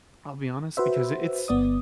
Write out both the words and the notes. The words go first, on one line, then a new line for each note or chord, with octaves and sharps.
I'll be honest because i it's
F#4 B4 C5 E5
G1 B3 D5 D#6